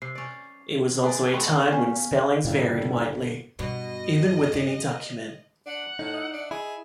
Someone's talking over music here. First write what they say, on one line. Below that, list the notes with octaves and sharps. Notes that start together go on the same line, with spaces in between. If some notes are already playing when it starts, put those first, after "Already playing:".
It was also a time when spellings varied widely, even within a document.
C3 C7
C#4 D5
G#4 B4 D5
A3 B3 F#4 D#5 G5 B5 C6
B3 C#4 F5 G#5
G1 A#2 C#3 G3 E4 F5
G2 B2 D#5
D4 F#5
A2 D#4
D#5 E5
D4
E4 G#4